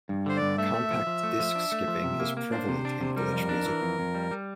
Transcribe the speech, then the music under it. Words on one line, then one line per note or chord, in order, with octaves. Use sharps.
Compact Disc skipping is prevalent in glitch music.
G2
D3 C5
G2 D5
A3 E5
A3
F3
F3
A3
F3
D4
A3
F3
C3
A#3
A#3
D4 C5
C3
D4
C3
G3 A#4
F2
D4
E3
F2
F2
G3
G3